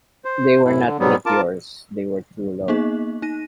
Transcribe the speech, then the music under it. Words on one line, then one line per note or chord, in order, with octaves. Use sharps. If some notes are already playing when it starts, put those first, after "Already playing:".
They were not meteors; they were too low.
C5
F#2 A2 E4
D3
G#2 F#3 G3 B3
F4 A#4 A5 D6
A#3 B3 D#4 G#4 D#5
D#4 A#6 D#7